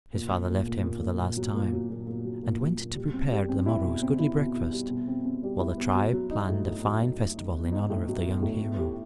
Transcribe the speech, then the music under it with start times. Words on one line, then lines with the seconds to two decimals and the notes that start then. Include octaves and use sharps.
His father left him for the last time, and went to prepare the morrow's goodly breakfast, while the tribe planned a fine festival in honor of the young hero.
0.13 A#2
0.31 A#2
0.48 A#2
0.66 A#2
0.83 A#2
1.01 A#2
1.20 A#2
1.37 F#3
1.55 A#2
1.72 F#3
1.90 A#2
2.07 A#2
2.25 F#3
2.43 A#2
2.60 F#3
2.78 A#2
2.95 G3
3.13 C4
3.31 G3
3.49 C4
3.66 E4
3.84 B2
4.02 C4
4.19 E4
4.37 B2
4.54 E4
4.72 G3
4.90 B2
5.07 C4
5.25 C4
5.43 G3
5.60 E4
5.78 B3
5.95 F#3
6.13 F#3
6.31 D#4
6.49 A2
6.66 A2
6.84 F#3
7.02 F#3
7.19 D#4
7.37 D#4
7.55 B3
7.72 D#4
7.90 A2
8.08 F#3
8.25 B3
8.42 A2
8.61 B3
8.78 G4